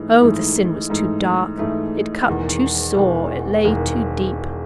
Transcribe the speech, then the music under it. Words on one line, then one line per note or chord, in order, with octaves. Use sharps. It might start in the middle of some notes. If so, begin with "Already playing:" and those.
Oh, the sin was too dark; it cut too sore; it lay too deep.
Already playing: G#2 E3 A3 D#4
G#2 E3 A3 D#4
G#2 E3 A3 D#4
G#2 E3 A3 D#4
E1 E2 D#3
E1 E2 D#3
E1 E2 D#3